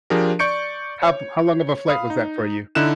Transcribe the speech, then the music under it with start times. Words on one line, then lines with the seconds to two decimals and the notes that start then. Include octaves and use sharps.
How how long of a flight was that for you?
0.10 F3 D4 G4 G#4 A#4
0.39 D5 C#6 G6 C#7 D7
1.02 C#5
1.88 F5 B5 D#6
2.10 D#4
2.75 D3 D#4 E4 F#6 E7